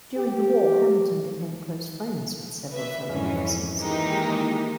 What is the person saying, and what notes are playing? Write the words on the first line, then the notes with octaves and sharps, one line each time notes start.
During the war, Hamilton became close friends with several fellow officers.
G4
B4 E5
F2 G#2 E3 C#4
D#3 E3 G#3 A#3 D#4 G4